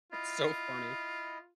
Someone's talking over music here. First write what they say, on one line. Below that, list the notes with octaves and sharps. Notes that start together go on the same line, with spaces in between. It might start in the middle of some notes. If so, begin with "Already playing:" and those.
It's so funny.
E4 F4 D#5